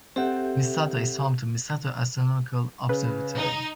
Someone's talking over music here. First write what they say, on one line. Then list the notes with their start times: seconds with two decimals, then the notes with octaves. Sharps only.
Misato is home to Misato Astronomical observatory.
0.16 C4 G4 A4 E5 F#5
2.89 C#3 B4
3.36 D#4